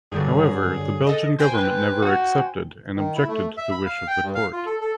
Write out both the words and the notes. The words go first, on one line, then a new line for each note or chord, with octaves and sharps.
However the Belgian Government never accepted, and objected to the wish of the court.
G2 D3 F#3 G#4
A4 D#5
C5 G5 G#5
B4
F#4
D#3
E4
A3
E5
B5
F5
G5
G2
F5
F4
A4
A4